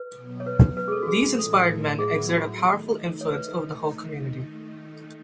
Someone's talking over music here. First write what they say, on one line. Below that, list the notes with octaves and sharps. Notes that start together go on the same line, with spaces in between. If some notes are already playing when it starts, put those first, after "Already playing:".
These inspired men exert a powerful influence over the whole community.
Already playing: B4
B2 F#3 B3
C#5
B4
B2 G#3 C#4 B4
G#4
A4
F#4
G#4
A2 E3 A3 E4 A4
A2 F#3 B3 E4 G#4
F#4
D#3 A3 D#4
C#5
B4